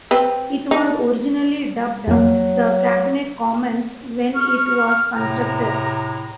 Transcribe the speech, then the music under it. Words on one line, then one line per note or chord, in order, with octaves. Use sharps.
It was originally dubbed the "Cabinet Commons" when it was constructed.
C4 B4
D#4
F2 F#3 A#3
C#6 F6
A2 C3 G#3 A#5